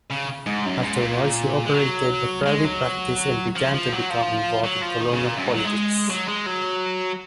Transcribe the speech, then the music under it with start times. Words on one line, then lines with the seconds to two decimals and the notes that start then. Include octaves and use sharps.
Afterwards he operated a private practice and began to become involved in colonial politics.
0.10 C#3
0.46 G#2
0.65 F#2
0.83 G#2
1.01 A#2
1.66 G#3
1.74 F#3
2.47 G#3
2.65 F#3
3.56 F3
3.74 F3
3.92 F#3
4.10 F3
4.65 F#3
4.83 F3
5.01 D#3
5.13 C#3
5.25 A#2
5.37 F#2
5.47 G#2
5.56 F#3
5.65 G#3
6.10 F#3
6.28 G#3
6.46 F#3